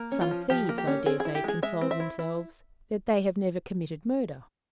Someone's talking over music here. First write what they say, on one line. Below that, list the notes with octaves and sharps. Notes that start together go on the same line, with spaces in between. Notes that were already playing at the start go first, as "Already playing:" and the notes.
Some thieves, I dare say, console themselves that they have never committed murder.
Already playing: A#3
C#4
F4
F3
F3 G4
A#3
G4
C#4
C4 G#4
G#4
E4
G4
G#3 G#4
G#3 E5
C4
E5
E4
E4